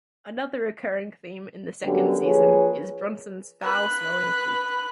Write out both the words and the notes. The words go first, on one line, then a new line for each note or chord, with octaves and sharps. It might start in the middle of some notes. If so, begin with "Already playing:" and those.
Another recurring theme in the second season is Bronson's foul-smelling feet.
F#2 D3 F#3 G3 B3 G4
F3 A#3 G#4 B4 C#5
B4 F#6